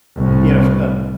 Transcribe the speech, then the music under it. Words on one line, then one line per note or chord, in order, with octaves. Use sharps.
you know, f uh
C2 A2